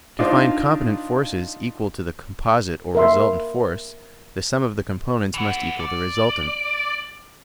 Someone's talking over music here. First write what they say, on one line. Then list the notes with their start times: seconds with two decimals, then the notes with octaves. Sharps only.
To find component forces equal to the composite or resultant force, the sum of the components must equal the resultant.
0.19 D4 D#4 F4 C5
2.95 A#4 E5 C6
5.34 E3 F#5
5.80 D5